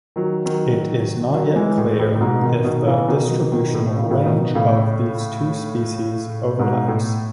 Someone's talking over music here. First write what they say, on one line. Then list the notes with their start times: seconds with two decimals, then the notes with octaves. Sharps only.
It is not yet clear if the distributional range of these two species overlaps.
0.16 D#3 F#3
0.46 D#3 F#3
1.33 D#3 F#3
1.56 E3 G#3
1.78 A2
1.99 A2
2.15 A2
2.21 G#2 B2
2.42 B2 D#3
2.64 B2 D#3
2.86 C#3 E3
3.08 B2 D#3
3.30 D#3 F#3
3.52 B2 D#3
3.74 A2
3.96 C#3
4.03 D#3
4.10 A2 C#3
4.25 B2 D#3
4.55 A2 C#3
6.59 G#2 B2
6.88 A2